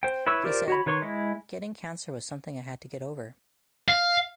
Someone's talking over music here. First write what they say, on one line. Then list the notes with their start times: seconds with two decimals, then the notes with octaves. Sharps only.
He said: Getting cancer was something I had to get over.
0.03 C5 G5
0.27 E4 B4 C#5 C#6 E6
0.44 F4 G4 A#4 C5 D5
0.68 F#4 C#5 B5
0.86 D#3 B4 C#5 C6 C#6
1.02 G#3 E4
3.88 F5